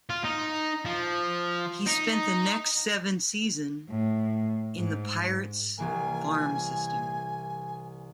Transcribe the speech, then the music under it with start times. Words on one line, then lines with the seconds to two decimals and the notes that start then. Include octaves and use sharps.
He spent the next seven season in the Pirates' farm system.
0.10 F4
0.24 D#4
0.85 F3
1.87 D#4
3.90 A2
4.77 G#2
5.78 C2 E3 A#3 G#5